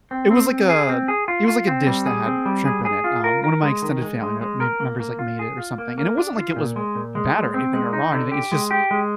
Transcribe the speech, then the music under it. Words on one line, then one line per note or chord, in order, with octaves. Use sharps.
It was like a it was like a dish that had shrimp in it, um, one of my extended family m ma members, like, made it or something. And it wasn't like it was bad or anything, or raw or anything, it's just
C4
C4
C4
G#4
C4
G#4
F4
F4
C4
G3
G#4
C4
G3
G#4
G#4
F4
A#4
A#4
G#3
D#3
G#3
G#3
G#3
A#4
A#3
A#3
F4
G#4
F4
A#3
A#3
D4
F4
A#2
G#3
A#2
G#3
G#3
C4
G#3
D#4
D3
G4
G#3
G4
G#3